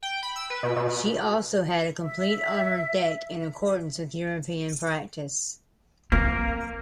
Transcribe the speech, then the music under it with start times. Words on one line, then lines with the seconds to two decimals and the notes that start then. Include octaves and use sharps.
She also had a complete armored deck in accordance with European practice.
0.03 G5
0.23 B5
0.36 E6
0.50 B4
0.63 B2
0.76 B2
2.01 E5
6.12 A#3 C4